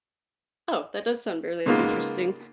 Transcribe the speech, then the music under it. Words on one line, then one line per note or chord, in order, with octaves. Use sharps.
Oh, that does sound really interesting,
G#2 C#3 A#3 B3 F4